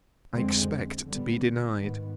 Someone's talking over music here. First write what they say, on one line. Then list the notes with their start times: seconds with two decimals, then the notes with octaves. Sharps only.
I expect to be denied.
0.36 F2 D3 G#3 C4
1.07 D3 G3 B3
1.79 G#2 D#3 B3